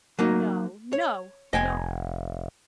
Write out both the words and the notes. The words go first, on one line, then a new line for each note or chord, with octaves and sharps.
No, no, no!
F#3 A#3 D#4
C#5
F1 D#5 G5 G#5